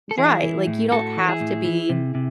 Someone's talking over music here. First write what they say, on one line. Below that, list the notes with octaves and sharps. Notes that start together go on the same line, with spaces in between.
Right. Like, you don't have to be
A4
E3 E4 G#4
E3
A2
A2 F#4 A4
E3
E4 G#4
A2
E3
C3
C3